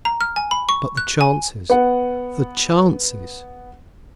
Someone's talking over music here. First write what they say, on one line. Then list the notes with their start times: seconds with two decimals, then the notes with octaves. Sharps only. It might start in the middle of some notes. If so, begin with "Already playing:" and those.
But the chances--the chances!
0.05 A#5
0.21 F6
0.36 G#5
0.51 B5
0.69 C#6
0.97 F#6
1.21 G#5
1.70 B3 F#5